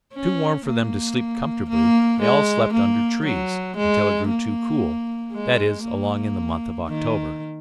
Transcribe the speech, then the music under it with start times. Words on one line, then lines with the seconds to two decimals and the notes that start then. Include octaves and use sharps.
When it was too warm for them to sleep comfortably, they all slept under trees until it grew too cool, that is along in the month of October.
0.14 C#4
0.66 A#3
1.70 A#3
2.22 G#3
2.73 A#3
3.25 F#3
3.77 G#3
4.29 A#3
5.32 G#3
5.85 A#3
6.88 D#3